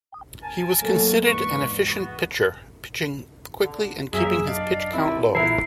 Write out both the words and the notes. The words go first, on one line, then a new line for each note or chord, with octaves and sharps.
He was considered an efficient pitcher, pitching quickly and keeping his pitch count low.
A#4 G#5 A5
F#3 A3 A#3
E2 G#2 B4 D5 C#6
B3 F#4
D3
F#2 A#3 G#4 E5
D4 D5 D#5 F5
C3 D#3 E4
A#1 A#2 D3 E3 B3 E4 A#4 C7